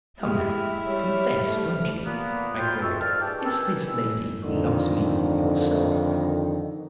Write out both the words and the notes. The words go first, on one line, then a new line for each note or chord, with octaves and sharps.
"Come now, confess, won't you," I queried, "is this lady who loves me yourself?"
G#3 E4 G4 E5 F6
G3 C#5
A3
A#2 A#3 B3
D2 F4 G5
C#2 A3 D#5 A5 C#6 E6
D#3 F3 D5 A5 F6
G4 G#4 B4 D5 G5 A5
D#3 B4 G#5 E6
F2 D3 D#3